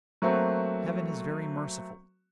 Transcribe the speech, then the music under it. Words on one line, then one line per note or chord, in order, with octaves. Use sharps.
Heaven is very merciful.
F#3 A3 A#3 C4 F#4